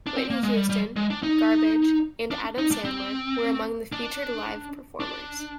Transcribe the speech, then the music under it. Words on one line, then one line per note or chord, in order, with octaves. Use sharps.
Whitney Houston, Garbage and Adam Sandler were among the featured live performers.
D4
C4
A#3
G#3
G3
G3
G#3
D4
D#4
D4
D#4
D4
C4
D4
D4